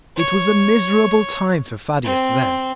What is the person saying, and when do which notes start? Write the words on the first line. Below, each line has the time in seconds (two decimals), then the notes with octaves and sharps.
It was a miserable time for Thaddeus then.
0.17 C#5
2.05 C4